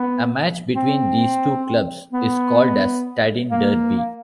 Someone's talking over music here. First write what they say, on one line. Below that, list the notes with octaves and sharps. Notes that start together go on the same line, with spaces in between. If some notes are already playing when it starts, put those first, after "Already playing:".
A match between these two clubs is called as Stadin derby.
Already playing: B3
C4
B3
A#3